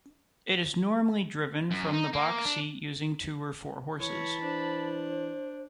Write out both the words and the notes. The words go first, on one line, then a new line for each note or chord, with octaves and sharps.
It is normally driven from the box seat using two or four horses.
F#2
D#4
A#3
D4
E3 C#5 A5 B5
D4 C5